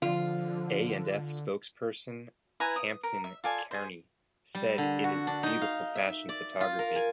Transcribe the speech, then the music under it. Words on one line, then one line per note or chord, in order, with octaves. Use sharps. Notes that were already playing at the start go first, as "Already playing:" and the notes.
A and F spokesperson Hampton Carney said, it is beautiful fashion photography.
D3 F3 F4
E4 B4 G#5 A#5
D#6
A#4
E5
F4 A4 D5 G#5
G#4 C5
G3
D3
F#4
D4
D#4
F5
E5
D5
F4
A#4
G#5